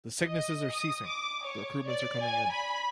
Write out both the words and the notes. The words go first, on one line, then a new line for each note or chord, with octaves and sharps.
The sicknesses are ceasing; the recruitments are coming in.
D#5
D#6
D6
C#5
D5
G#5
B5